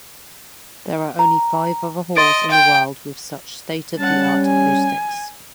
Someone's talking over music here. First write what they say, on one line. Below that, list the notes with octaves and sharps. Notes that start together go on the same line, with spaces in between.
There are only five other halls in the world with such state-of-the-art acoustics.
A#5
D#5 C6 A6 D7
G5
G3 C#4 F#5 A5
G#5